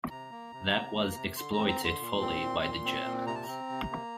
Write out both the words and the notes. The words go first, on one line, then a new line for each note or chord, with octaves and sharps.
That was exploited fully by the Germans.
C3 A#5
A#3
C3
C3
A#3
C3
D3 C6
C4 A#5
A#5
D3
C6
A#2
C4
A#2
A#2
C4
A#2
C3 A#5
A5
C4 A#5
C3
A#3